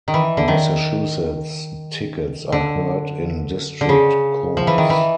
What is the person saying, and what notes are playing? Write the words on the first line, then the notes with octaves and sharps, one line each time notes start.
Massachusetts tickets are heard in District Courts.
D#3
E3
D3
D#3
D3
D3
C#3
F3
E3
D#3
E3